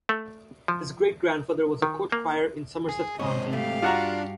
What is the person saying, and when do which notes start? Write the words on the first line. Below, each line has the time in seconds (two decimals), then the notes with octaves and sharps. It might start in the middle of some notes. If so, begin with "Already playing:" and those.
His great-grandfather was a court crier in Somerset County.
0.09 A3
0.68 F3
1.82 D#3
2.12 A#3
2.89 G#4
3.19 G#2 C3 C5 C#5 D#5
3.53 A3 G4 F5
3.82 G2 D4 F4 F#4 F#5 A#5